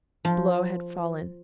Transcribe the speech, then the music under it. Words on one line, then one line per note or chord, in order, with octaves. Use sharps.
The blow had fallen.
F3